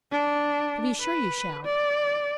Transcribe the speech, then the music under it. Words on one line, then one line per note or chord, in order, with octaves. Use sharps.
"To be sure you shall."
D4
B4
D5